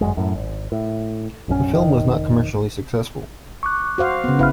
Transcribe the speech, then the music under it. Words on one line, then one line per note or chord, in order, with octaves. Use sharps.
The film was not commercially successful.
G#1 F#2 G#3
F#2 A2
G#1
A2
A#1 F#2 C4 C#4
F1 D#3
C#6 D6 F#6
F#4 C5 F5
C#3 B3
G#1 E4 B4 F5 F6